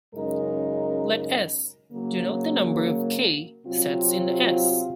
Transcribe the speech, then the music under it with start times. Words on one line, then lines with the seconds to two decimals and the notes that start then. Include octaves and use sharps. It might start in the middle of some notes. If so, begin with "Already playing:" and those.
Let "s" denote the number of "k"-sets in "S".
0.14 F#2 C#3 G#3 D#4 A#4
1.90 C#3 F#3 A#3
3.65 C3 F#3 C4 F4